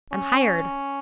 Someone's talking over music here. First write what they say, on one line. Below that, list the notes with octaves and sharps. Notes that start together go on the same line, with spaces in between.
"I'm hired."
C#4